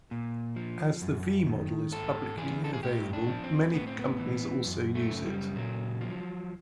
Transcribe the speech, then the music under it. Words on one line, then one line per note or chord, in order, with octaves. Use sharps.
As the V-model is publicly available many companies also use it.
A#2
F3
F#2
D#3
G#2 A4
E3 G#4
A4
G#4
A2 G4
D4
F3
C4
A2 B3
C4
B3
E3
F#2
A3
C#3
G3
A#2 F#3
F3